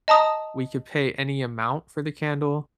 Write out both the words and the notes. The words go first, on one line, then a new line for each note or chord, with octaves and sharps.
we could pay any amount for the candle,
D#5 A5 A#5 D#6